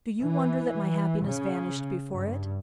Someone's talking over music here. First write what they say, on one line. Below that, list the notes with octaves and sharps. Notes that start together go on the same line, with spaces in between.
Do you wonder that my happiness vanished before it?
E3
C#3
G2